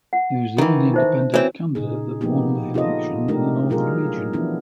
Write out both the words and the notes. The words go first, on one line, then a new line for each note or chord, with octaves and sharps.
He was the only independent candidate that won the election in the Northern Region.
F#5
D#3 E3
D#4 C5 E5
E3 C4 F#4 C#5
A#2 C#3 D#4 G#4
F3 A#3 B3 D#4 G4
D#4 F4 A4 D#5
G#3 A3 D4 D#4 G4 A#4
F#3 F4 G#4 A#4
E3 F3 B3 D4 E4